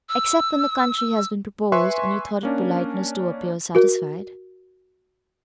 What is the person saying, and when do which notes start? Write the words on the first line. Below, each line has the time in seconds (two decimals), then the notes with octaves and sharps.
"Except when the country has been proposed, and you thought it politeness to appear satisfied."
0.09 E6
1.72 B4 E5 G#5 C6 C#6 F#6
2.43 A#3 C#4 D4
3.75 F#4 A#4